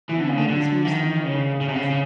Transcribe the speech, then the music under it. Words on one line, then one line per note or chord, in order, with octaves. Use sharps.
We Lees mostly marry Aurettes.
E3
D3
C#3
D3
D3
D#3
C#3
C#3
C3
C#3
C#3